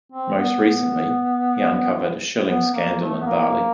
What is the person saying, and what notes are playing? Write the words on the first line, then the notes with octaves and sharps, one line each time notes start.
Most recently, he uncovered the shilling scandal in Bali.
C4
B3
B3
B3
A#3
A3
B3
A#3